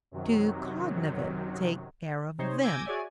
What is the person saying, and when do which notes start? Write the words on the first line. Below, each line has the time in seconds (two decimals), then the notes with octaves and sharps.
Two cognovits--take care of them.
0.11 F#2 C3 D#3 F#3
2.38 C3 D#4 C5 C#5
2.62 G#5 D6 E6 G6 G#6 A#6
2.85 F#4 G#4 C#5 D5 E5 G#5